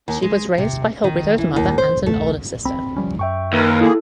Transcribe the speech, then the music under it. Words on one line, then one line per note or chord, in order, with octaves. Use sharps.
She was raised by her widowed mother and an older sister.
D#2
G#3
C3
D#3
E3
D#2
C5
A3
C4 B5
F3 G3 C#4
F#2 E5 G5 C#6
D#2 A#4 B4
A#3 E4 G#4 A4